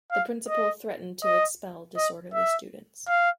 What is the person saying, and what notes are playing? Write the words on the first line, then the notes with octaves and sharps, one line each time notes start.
The principle threatened to expel disorderly students.
F5
D#5
D#5
D#5
E5
F5